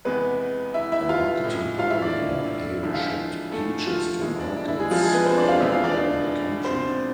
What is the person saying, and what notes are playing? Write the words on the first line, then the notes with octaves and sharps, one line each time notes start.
A marketing pioneer, Hale shipped peaches to markets all over the country.
E2 C3 G#3 B3 B4
E4 E5
E4 E5
F4 F5
A2 G#3
F4 F5
E4 E5
D4 D5
E2 D3 F3 G#3 E4 E5
F4 F5
E4 E5
A3 A4
F3 F4
B2 G#3 E4
D4
D4
E4
G#3 G#4
F3 F4
G#3 G#4
B3 B4
C4 C5
D4 D5
F4 F5
E2 B2 G#3 E4 E5
F4 F5
D4 D5
C4 C5